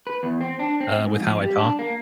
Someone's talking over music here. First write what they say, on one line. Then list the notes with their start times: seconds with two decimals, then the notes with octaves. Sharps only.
uh, with how I talk
0.07 B4
0.23 E2
0.41 C4
0.59 D4
0.81 C4
1.04 G#2
1.20 F2
1.42 G3
1.58 D4
1.79 A#3